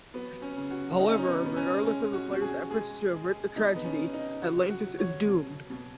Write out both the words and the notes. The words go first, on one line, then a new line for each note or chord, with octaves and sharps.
However, regardless of the player's efforts to avert the tragedy, Atlantis is doomed.
F#3 B3
C#4
C#3
F#4
G#3 D#4
C#4
D#4
B3
B2 B3
C#4
G#3 C#4
F#4
B2
F#4
G#4
G#3 G#4
G#3
B2 D#4
B3
C#4
B2
D#4
C#3 F#4
F#4
F#3
C#5
B2
B2